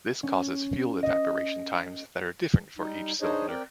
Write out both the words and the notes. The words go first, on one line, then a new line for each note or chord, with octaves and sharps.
This causes fuel evaporation times that are different for each cylinder.
C#4
D#5
G3 D#4
D4 D#4 G#4 C5 C#5 D#5
C4 A#4 D5 G5